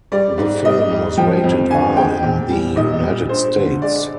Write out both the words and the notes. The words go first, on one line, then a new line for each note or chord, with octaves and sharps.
The film was rated R in the United States.
G3 D5
G#2
G3 D#5
G3
F3 G5
F2
D3 G#5
G#3 G5
A#2 G5
G3
A#2 D#5
G3
G2 C5
D3
G#3 D5